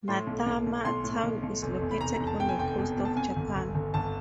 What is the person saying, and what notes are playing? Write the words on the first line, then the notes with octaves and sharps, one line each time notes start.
Matama town is located on the coast of Japan.
A2 C6
B1
B1
B1
B1 C6
A2
B1
B1
F1
E2
B5
F1 A#5
A#5
E2
A5
E2 G5
G#5
F1 G5
B2
B2
A5
F2 G#5
G1
G1
G1
G1 A5